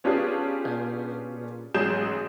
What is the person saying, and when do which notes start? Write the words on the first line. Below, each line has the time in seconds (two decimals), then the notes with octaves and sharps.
and, you know,
0.04 B3 C#4 D4 F4 G4 G#4
1.74 A1 G#2 F#3 G#4 G6 E7